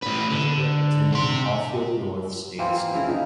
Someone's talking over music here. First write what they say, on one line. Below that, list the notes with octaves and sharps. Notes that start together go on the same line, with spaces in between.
Gawenda attended Caulfield North state school.
A2 B4
D3
C3 C6
E3 A#3 C4 F4
F5
C#3 E4 A#4
D3 D#4